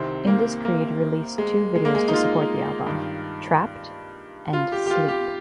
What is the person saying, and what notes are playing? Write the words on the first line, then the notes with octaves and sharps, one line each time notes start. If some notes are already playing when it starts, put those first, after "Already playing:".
Indus Creed released two videos to support the album: "Trapped" and "Sleep".
Already playing: C2 C3 D#3 C4
A#3
A#3
G#3
G#3
A#3
G#3
D#4
F4
G2 D#3
F4
G4
G4
F4
G4